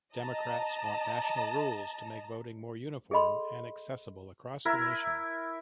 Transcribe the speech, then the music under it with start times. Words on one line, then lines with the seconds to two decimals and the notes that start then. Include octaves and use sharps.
Democrats want national rules to make voting more uniform and accessible across the nation.
0.16 D#5 A5 A#5
3.11 G#4 A4 D#5 B5 C6
4.65 E4 A#4 E5